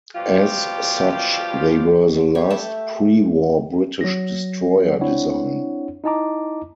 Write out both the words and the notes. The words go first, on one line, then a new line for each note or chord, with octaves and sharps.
As such they were the last pre-war British destroyer design.
B2 F3 G3 F4 G4
G3 G4 C#5
A3 E5 G5 A5
F#3 A#6
C4 D4 E4 C#5 F#5
D#4 E4 D#5 A5 A#5 D6